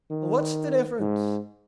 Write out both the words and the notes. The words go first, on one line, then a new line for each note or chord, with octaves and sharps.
"What's the difference?"
D#3
G#2